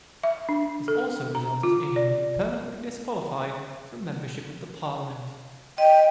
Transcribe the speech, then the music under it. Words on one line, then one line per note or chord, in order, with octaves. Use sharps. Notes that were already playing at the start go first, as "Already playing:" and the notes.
This also resulted in him being permanently disqualified from membership of the parliament.
E5
D4
A4
A#5
F4
D5
D#5 G5